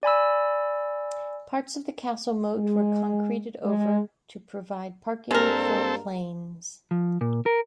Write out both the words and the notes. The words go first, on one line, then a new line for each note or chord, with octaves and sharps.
Parts of the castle moat were concreted over to provide parking for planes.
D5 G#5 B5 E6
G#3
G#3
G2 G3 G#3 A#3 C4 A4 A#4
F3
A#2
A#4